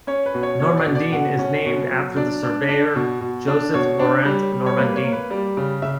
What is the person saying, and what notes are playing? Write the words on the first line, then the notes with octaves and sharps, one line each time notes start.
Normandin is named after the surveyor Joseph-Laurent Normandin.
C#4 C#5
B4
B2
C#5
B2 C#5
D5
B2
D5
B2 F#5
C#4
B2
F#3
D4 D5
D4
D4
B2
B2
D4
B2 C#5
D4
G3
G3
C#5
A#3 B4
C#5
A#3
B4
G3 D5
C#3
C#3 E5